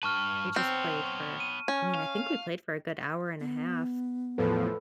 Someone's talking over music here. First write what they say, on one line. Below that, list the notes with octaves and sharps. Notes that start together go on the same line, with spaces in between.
we just played for I mean, I think we played for a good hour and a half.
G2 B4 A5 C#6 F6
B3 C4 C#5
D#7
C#4
F5
B3
E2 A2 F3 A4 B4